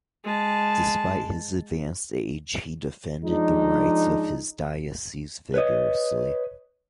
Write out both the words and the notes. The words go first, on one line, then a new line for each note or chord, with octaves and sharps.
Despite his advanced age, he defended the rights of his diocese vigorously.
G#3 A5
F3 G#3 D4 D#4
B4 C#5 D#5